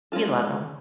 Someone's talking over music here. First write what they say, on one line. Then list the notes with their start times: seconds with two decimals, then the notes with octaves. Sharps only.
We love 'em.
0.12 G#3 C#4 F4 A4